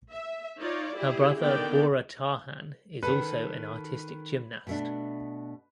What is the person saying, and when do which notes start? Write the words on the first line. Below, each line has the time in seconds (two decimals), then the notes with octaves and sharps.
Her brother Bora Tarhan is also an artistic gymnast.
0.11 E5
0.60 D#4 F4 C#5 D5
0.95 E4 G4 G#4
1.40 D3 D#3 B3 D5 G5
3.03 D#3 A4 B4
4.67 B2 A3 D4